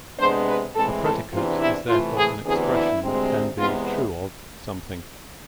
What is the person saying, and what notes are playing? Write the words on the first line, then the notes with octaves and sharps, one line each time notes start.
A predicate is therefore an expression that can be "true of" something.
C3 G#3 B3 D4 C5
B4
A2 E3 G#3 C4 A4
A4
E2 C3 E3 B3 D4 F4
E4
C3 E3 A3 F4
G#4
D2 C3 E3 B3 D4 G#4
E4
D2 C3 G#3 C4
E2 C3 G#3 B3 F4